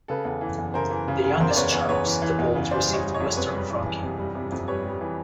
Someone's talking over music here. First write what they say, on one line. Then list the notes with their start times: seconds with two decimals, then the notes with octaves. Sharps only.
The youngest, Charles the Bald, received western Francia.
0.08 C#3 A4 B4
0.25 E2
0.41 E3
0.58 E2
0.74 C#3 A#4 C5
0.91 E3
1.08 C#3
1.24 C#3
1.40 E2 A#4 C5
1.50 D5
1.56 E2 B4 C#5
1.72 E2 B4 C#5
1.89 E2 B4 C#5
2.05 E3
2.22 E3
2.39 E2
2.55 C#3
2.71 E3 C5 D5
2.87 G3
2.93 C#5 D#5
3.03 G3
3.14 C#5 D#5
3.20 F2
3.36 C3 B4 C#5
3.54 G3
3.70 E3
3.85 E3
4.02 C3
4.19 G3
4.35 C3
4.52 F2
4.68 G3 B4 C#5
4.85 G3
5.01 E3